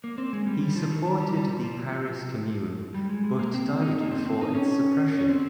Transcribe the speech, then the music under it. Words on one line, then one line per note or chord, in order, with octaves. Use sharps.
He supported the Paris Commune but died before its suppression.
A#3
C4
G#3
G3
G3
F3
D#3
D#3
G3
G3
F3
F3
G3
G#3
G#3
A#3
C4
D#4
A#3
C4
C4
D#4
C#4
C#4
C4